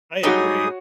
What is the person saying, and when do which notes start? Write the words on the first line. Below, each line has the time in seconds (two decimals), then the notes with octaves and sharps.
I agree.
0.23 F#3 G3 D#4 F#4 G#4 C#5 D#6